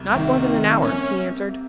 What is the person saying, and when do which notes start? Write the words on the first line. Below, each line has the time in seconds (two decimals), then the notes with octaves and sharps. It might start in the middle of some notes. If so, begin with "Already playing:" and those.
"Not more than an hour," he answered.
Already playing: C2
0.15 C3 D#3
0.49 C3
0.82 A#3 C#4